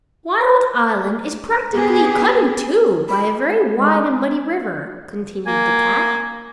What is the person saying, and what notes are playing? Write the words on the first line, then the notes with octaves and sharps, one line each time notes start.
"Wild Island is practically cut in two by a very wide and muddy river," continued the cat.
B3 G4 G#4
B5
G#3
A#3 G#5